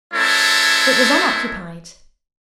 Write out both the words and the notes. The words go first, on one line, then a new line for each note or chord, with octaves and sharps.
It was unoccupied.
G#3 C4 E4 A4 A#4 C#5